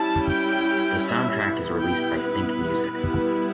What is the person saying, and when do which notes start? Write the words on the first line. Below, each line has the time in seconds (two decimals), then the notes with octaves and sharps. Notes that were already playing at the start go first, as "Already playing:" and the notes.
The soundtrack is released by Think Music.
Already playing: G3 C#4 E4 A5
0.28 G5
1.04 E5
1.42 G3 B3 E4
1.81 G5
2.19 B4
2.95 G3 B3 E4